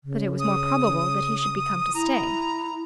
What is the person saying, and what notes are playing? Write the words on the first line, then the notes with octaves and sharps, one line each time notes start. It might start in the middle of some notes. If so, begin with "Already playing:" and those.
But it was more probable that he should be come to stay.
C#3
D#6
E4 A#5